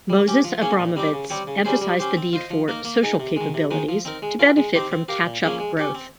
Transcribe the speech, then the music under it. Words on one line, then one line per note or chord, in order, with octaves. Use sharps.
Moses Abramovitz emphasised the need for 'Social Capabilities' to benefit from catch-up growth.
G3
C#4 G4
F3
A#3 C#4 G#4 C#5
A#2
G3 C4 D#4 G4
C#3
G3 C4 G4 C#5
C#3
G3 C#4 G#4 C5
G3
C#4 G4 C5
C4
F4 C5 D#5
F3
A#3 D#4 A#4
A#3
D#4 G#4 D#5
C3
D#3 G#3
C3
D#3 G#3 D#4
F3
C4 D#4 A#4
G#3
C#4 F4 A#4
G#3
C4 D#4 G4 C5
C4
G4 A#4 F5
A#2
F3 A#3 C#4 G#4
G#3
C#4 G4 C#5
C4